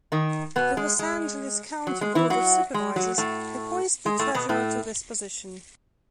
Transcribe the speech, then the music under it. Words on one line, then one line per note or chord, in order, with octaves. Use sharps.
The Los Angeles County Board of Supervisors appoints the treasurer to this position.
D#3 D#4
B2 B3
G#3
G#3
F#3
G#3
E3 E4
F#3 F#4
G#3
F#3
A2 A3
G#3
A2 A3
B2 B3
A2 A3